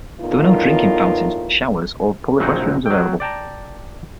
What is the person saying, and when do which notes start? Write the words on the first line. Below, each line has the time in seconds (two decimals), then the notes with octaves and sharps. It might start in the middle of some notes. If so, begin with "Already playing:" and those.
There are no drinking fountains, showers or public restrooms available.
0.21 E2 A2 B3 D#4 F4 A#4
2.39 A#1 C#3 F#3 C4 D#4 F#5
2.86 F#3 G5
3.20 D5 G5 A5 A#5